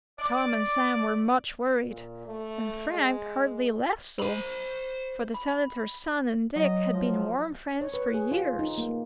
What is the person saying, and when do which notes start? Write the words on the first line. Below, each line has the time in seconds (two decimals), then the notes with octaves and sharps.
Tom and Sam were much worried and Frank hardly less so, for the senator's son and Dick had been warm friends for years.
0.19 D5
1.89 A#2
2.26 A3
2.90 G#3
4.20 C5 B5
5.34 B5
6.56 F#3 D#5
6.93 F3
7.81 C#5
7.94 B4
8.14 G#4
8.32 F4
8.59 D#4
8.78 A#3